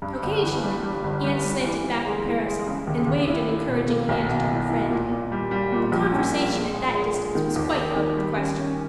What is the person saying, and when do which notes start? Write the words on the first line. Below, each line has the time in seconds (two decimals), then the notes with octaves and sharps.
Occasionally Anne slanted back her parasol and waved an encouraging hand to her friend; But conversation at that distance was quite out of the question.
0.02 G2
0.23 G1
0.42 E3
0.63 G3
0.83 G3
1.03 G1
1.24 G3
1.44 G3
1.64 E3
1.84 E3
2.05 G#3
2.26 E3
2.46 G#3
2.67 C#3
2.87 D#2
3.07 D#2
3.28 E4
3.48 E4
3.69 B2
3.88 A#3
4.09 B1
4.29 B2
4.50 E4
4.70 E4
4.90 A#2
5.11 A#2
5.32 G3
5.51 G3
5.72 A#2
5.92 A#1
6.12 C#4
6.33 A#2
6.54 G#3
6.74 G#3
6.95 G#3
7.14 G#3
7.35 D#3
7.56 D#2
7.76 D#3
7.96 D#3
8.17 G3
8.37 C#4
8.58 C#4